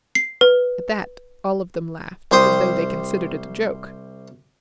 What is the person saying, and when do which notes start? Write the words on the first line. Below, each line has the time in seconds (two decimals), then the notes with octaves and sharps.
At that all of them laughed, as though they considered it a joke.
0.15 C7
0.41 B4
2.32 C2 G4 C5 G5 D#6